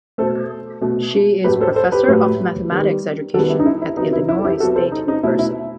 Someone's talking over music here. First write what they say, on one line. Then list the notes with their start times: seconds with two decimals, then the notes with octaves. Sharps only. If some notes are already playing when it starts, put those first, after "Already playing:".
She is professor of mathematics education at Illinois State University.
0.18 B2 A3 A4 C5
0.81 B2 A3
1.44 A2 F#3 A3 G4 B4
1.61 A4 C5
1.76 A4 C5
1.92 G4 B4
2.08 A2 F#3 A3
2.71 D#3 G3 B3
3.34 D#3 G3 B3 F#4 A4
3.50 E4 G4
3.60 D#4
3.66 E4
3.82 E4
3.97 C3 F#3 B3 D#4
4.13 E4
4.29 E4
4.39 A4
4.45 E4 G4
4.60 C3 F#3 B3 F#4 A4
4.76 A4 C5
4.92 D#4
5.08 D#4
5.23 B2 A3 E4
5.39 E4